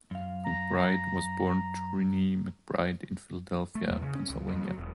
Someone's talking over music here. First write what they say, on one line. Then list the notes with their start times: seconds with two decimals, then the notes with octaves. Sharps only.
McBride was born to Renee McBride in Philadelphia, Pennsylvania.
0.11 F#2 F5
0.44 A#5
3.75 A3
3.90 E2
4.02 C#3
4.15 C#4
4.29 C#2
4.48 F2
4.65 F#3
4.78 E1